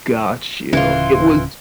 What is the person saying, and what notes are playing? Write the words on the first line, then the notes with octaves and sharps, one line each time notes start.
Got you, it was
D1 C#3 E3 C#4 F4